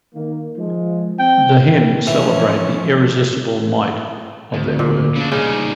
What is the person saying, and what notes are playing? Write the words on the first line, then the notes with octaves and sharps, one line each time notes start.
The hymns celebrate the irresistible might of their word.
D#3 A#3
F3 G#3
C4 G5
E3 F3 A3 C#4
D2
A#2
C#3 D4
C#3 G3 D#4